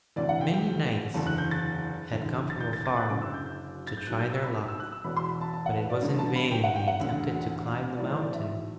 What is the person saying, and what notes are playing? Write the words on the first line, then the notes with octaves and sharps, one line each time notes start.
Many knights had come from afar to try their luck, but it was in vain they attempted to climb the mountain.
E1 D2 C3 E3 D5
F#5
G5
G5
F#1 E2 D3 A5
F#6
G6
A6
F#1 E2 D3
A6
G6
A6
G6
A6
F#6
F#1 F#2 D3 D6
E6
G6
G6
A6
G6
B1 B2 F#6
G6
E6
B5
D6
E6
F#6
E6
E1 E2 B2 B5
C6
B5
A5
A5
F#5
B4
D5
A1 G2 D3
A5
B5
G5
F#5
G5
F#5
E1 D2 D3
B1 A2 E3 D5
C5
D5
E5